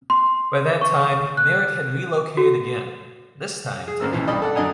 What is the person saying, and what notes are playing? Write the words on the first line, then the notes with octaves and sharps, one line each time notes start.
By that time, Merritt had relocated again - this time to England.
C6
C#6
F#6
F#4
G#4
G#1 C#3 A#3 E6
B1 C#3 E3 F3
B1 G2 D5 D#5 B5
A4 D5 F#5
F#2 D3 D#5 G#5 A#5